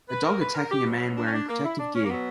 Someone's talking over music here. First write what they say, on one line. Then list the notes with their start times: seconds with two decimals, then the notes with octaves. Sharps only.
A dog attacking a man wearing protective gear.
0.09 B4
0.24 A#4
0.40 B4
0.55 A#4
0.71 G4
0.86 B2 F#3
1.17 D4
1.26 C#4
1.33 D4
1.48 A#3
1.64 E4
1.78 D4
1.94 C#4
2.04 A#3
2.10 B2 F#3 B3